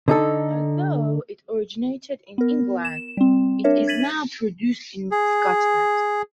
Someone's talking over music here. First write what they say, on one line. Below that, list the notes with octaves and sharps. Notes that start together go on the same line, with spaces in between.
Although it originated in England, it is now produced in Scotland.
D3 D#4 A4
B3 A#4
E7
G3 C4
D4 A#4 C#5 E5
G#6 A6 B6 D#7 F#7
G#4